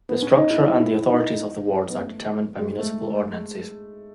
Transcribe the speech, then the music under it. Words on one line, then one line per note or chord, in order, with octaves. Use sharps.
The structure and the authorities of the wards are determined by municipal ordinances.
B3
C#4
D#4
E4
E4
E4
E4
D#4
C#4
B3
A3
G#3
G#3
A3